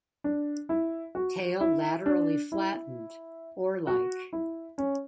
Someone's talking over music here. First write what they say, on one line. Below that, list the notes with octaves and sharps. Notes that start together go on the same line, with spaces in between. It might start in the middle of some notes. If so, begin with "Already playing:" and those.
Tail laterally flattened, oar-like.
D4
E4
F#4
E4
D4
E4
F#4
E4
C#4